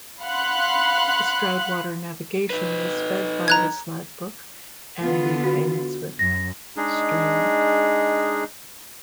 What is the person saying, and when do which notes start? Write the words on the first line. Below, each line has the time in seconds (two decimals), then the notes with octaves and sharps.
The Stroudwater Navigation is fed by the Slad Brook and the Painswick stream.
0.23 F5 F#5 B5 C6 F#6
2.50 D#4 B4
3.48 A#5 F#6 G#6
5.03 D3 B3 F4
5.44 F#4
6.19 F#2 A#6
6.77 G#3 D4 D#4 G#4